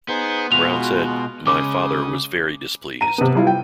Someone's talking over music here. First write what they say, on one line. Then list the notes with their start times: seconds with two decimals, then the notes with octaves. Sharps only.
Brown said, My father was very displeased.
0.09 B3 D#4 G#4 C5
0.52 B2 G#3 F4 F#4 F7
1.47 C#3 G#3 D6 D#6
3.01 A#5 D#7
3.18 C3 B3
3.35 G3 E4 F4
3.47 G5